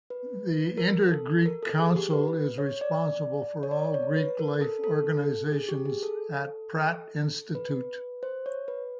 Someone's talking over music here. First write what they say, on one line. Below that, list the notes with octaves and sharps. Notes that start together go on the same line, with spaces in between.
The Inter-Greek Council is responsible for all Greek life organizations at Pratt Institute.
B4
A#4
A4
A#4
A4
G#4
G4
B4
C#5
D5
C#5
D5
C#5
B4
A#4
A4
A4
G#4
G4
G#4
A4
B4
C5
C#5
B4